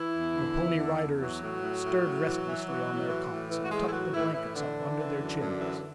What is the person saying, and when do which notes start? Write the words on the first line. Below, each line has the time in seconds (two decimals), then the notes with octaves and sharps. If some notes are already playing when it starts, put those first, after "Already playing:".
The Pony Riders stirred restlessly on their cots and tucked the blankets up under their chins.
Already playing: E3 E4
0.14 E2
0.35 D3
0.56 E2
0.78 D3
0.98 E2
1.20 E3 F#3 F#4
1.41 A2
1.61 A2
1.83 A2
2.03 A2
2.24 E3
2.46 E3
2.67 E3
2.88 A2
3.08 E3
3.30 A2
3.51 E3
3.64 F#4
3.71 A2 G#3 G#4
3.88 E4
3.92 E3 F#3 F#4
4.13 A2 E3 E4
4.35 A2 E3 E4
4.56 D3 E3 D4
4.77 E3
4.98 E3
5.19 F#2
5.39 F#2
5.60 E3